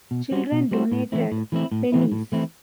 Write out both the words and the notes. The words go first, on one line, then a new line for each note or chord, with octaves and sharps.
Children donated pennies.
B2
G3 C4 F#4 C5
B2
G3 C4 F#4 C5
A2
E3 A3 C4 E4
A2
E3 A3 C4 E4
A2
E3 A3 C4 E4
A2
E3 A3 C4 E4